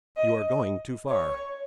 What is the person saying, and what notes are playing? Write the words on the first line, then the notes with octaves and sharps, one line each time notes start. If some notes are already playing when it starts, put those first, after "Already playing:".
You are going too far!
D#5
C#5